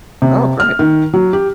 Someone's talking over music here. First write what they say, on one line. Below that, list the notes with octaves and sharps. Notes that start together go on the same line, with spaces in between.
Oh, great.
C3
F6
D#3
F#3
G4